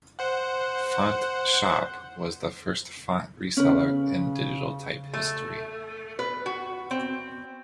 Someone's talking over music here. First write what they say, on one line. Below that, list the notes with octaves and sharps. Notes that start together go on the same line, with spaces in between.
FontShop was the first font reseller in digital type history.
C5 F#5
C#3 C#4 B4
A3
B4
F#4
C4